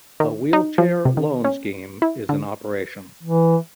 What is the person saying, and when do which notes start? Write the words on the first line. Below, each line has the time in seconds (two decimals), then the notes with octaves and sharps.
A wheelchair loan scheme is in operation.
0.20 D#3
0.53 D#4
0.78 F3
1.05 C3
1.17 D#3
1.44 C#4
2.02 E4
2.29 D3
3.23 E3